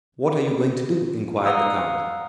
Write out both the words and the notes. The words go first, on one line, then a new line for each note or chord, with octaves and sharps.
"What are you going to do?" inquired the count.
F5 F#5 A#5 D#6 E6